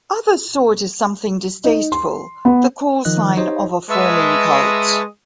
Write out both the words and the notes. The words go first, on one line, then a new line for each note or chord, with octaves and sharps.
Others saw it as something distasteful - the call sign of a forming cult.
D#4
C6
B3
D#3 F3 C5 D#5 F#6
D#4 G4 C5 C#5 D#5
G#3 B4 E5 A5 C#6 D#6